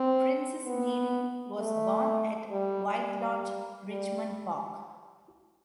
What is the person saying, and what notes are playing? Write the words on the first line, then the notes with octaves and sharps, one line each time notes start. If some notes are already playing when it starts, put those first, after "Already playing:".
Princess Mary was born at White Lodge, Richmond Park.
Already playing: C4
B3
A3
G3
G3
G3